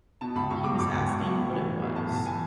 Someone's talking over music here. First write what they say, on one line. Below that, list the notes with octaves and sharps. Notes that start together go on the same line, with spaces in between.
He was asking what it was.
B2 A5
C#2 B5
C#2 C#6
B2 D6
C#2 D6
C#2
B2 C#6
B2
A2
E3
B1
B1
B1 A5
B1
A5
E3 G#5